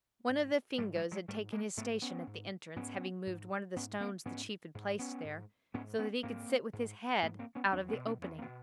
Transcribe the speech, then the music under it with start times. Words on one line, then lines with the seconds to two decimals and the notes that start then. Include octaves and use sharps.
One of the Fingoes had taken his station at the entrance, having moved one of the stones the chief had placed there, so that he could sit with his head out of the opening.
0.29 G#2
0.78 G#2 G3 A3
0.96 F#3 G#3
1.11 F#3 G#3
1.28 G#2 G3 A3
1.52 G#3 A#3
1.77 G#2 A3 B3
2.02 B3 C#4
2.27 G#2
2.76 G#2 B3 C#4
3.27 G#2
3.76 G#2 B3 C#4
4.00 A#3 C4
4.25 G#2 B3 C#4
4.75 G#2
4.99 B3 C#4
5.24 G#2
5.74 G#2 B3 C#4
5.99 B3 C#4
6.23 G#2 A#3 C4
6.73 G#2
7.22 G#2 A3 B3
7.39 A#3 C4
7.55 B3 C#4
7.72 E2 C4 D4
7.89 B3 C#4
7.98 B2
8.06 C4 D4
8.21 E2 B3 C#4
8.39 A#3 C4
8.47 B2